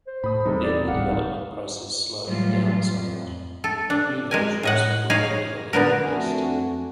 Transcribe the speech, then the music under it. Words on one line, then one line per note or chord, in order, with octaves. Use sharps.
Then the development process slowed down somewhat but new versions were regularly released.
C5
A2 B5 D#6
E2 C3 G3 D#4 A4
D5
D1 G#1 G3 F5 F#5
D#4
A2 E3 F#3 G3 F4
F2
A4
D4
G#3 A#4 G#5
A2 D#5 F#5
D#4 C#5 F5 G#5
A#2 D3 B3 A#4
F2 A3 D4 F#4 G#5